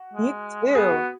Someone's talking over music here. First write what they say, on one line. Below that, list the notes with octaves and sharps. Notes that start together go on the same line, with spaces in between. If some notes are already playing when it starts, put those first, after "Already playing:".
You too.
Already playing: F#4
G#3
B3 G#4
F#4